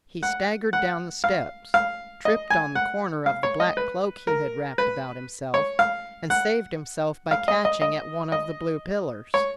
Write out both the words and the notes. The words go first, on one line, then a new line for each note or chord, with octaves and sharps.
He staggered down the steps, tripped on the corner of the black cloak he had wrapped about himself, and saved himself by catching at one of the blue pillars.
F#5
F#5
F5
F5
D#5
G#5
F#5
F5
C#5
D#5
B4
A#4
B4
C#5
F5
F#5
F5
D#5
D#5
D#5
D#5
C#5